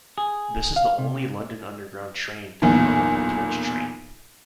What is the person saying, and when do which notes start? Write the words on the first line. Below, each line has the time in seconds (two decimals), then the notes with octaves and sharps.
This is the only London Underground train to be an Olympic Torch train.
0.18 G#4
0.76 F5
0.99 C3
2.62 B1 E2 A#2